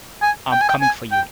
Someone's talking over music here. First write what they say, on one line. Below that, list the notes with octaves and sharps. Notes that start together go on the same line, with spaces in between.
I'm coming for you!
G#5
G5
G#5
G5
G#5
G5